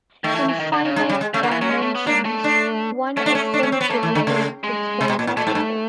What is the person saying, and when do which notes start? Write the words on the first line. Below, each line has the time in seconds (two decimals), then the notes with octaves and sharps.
In finite-dimensions, one essentially deals with square matrices.
0.24 D#3 A3
0.35 E3
0.49 E3
0.60 D#3
0.72 D3
0.85 C#3
0.96 G#3
1.09 G3
1.21 G#3
1.34 C#3 A3
1.43 D3 A#3
1.51 E3 B3
1.61 F#3 C#4
1.70 G#3
1.82 A3
1.95 B3
2.07 A#3 D4
2.25 A3
2.44 D4
3.17 A3 C#4
3.26 D4
3.35 C#4
3.54 D4
3.63 C#4
3.72 C4
3.81 B3
3.90 A3 A#3
4.03 E3
4.15 D3
4.27 C#3
4.64 G#3
5.01 C3
5.10 B2
5.19 A#2
5.27 A2
5.37 A#2 A3
5.47 G#2
5.55 G2